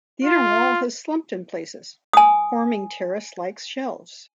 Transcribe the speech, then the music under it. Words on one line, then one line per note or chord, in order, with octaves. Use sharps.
The inner wall has slumped in places, forming terrace-like shelves.
F4
G#5 D#6